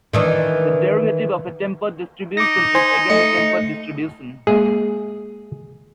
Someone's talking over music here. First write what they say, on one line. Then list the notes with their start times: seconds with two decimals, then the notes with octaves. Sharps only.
The derivative of a tempered distribution is again a tempered distribution.
0.13 D#3 E3 D4
2.37 D#4 D6 A#6
2.75 C5 G#5 C6
3.10 A3 D#5 C#7
4.47 G#3 A#3 G#4